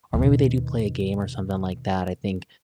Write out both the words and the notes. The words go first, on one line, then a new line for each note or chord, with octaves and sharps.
or maybe they do play a game, or something like that. I think
D#2 B2